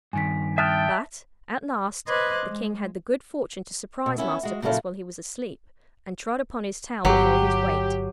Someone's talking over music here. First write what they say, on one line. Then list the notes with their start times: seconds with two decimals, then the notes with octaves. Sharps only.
But, at last, the King had the good fortune to surprise Master Puss while he was asleep, and trod upon his tail with all his weight.
0.13 G2 D#3 G#5 B6
0.58 E5 G5 A5 D#6 F6 F#6 A6
2.08 B4 C5 D#5 D6 F#6 G#6
2.46 G#3
4.06 B2
4.18 B3 C#4 E4
4.43 G#3 F#4
4.62 A#2 C#3 F#3 E4 A4 F5
7.05 G1 F#3 G4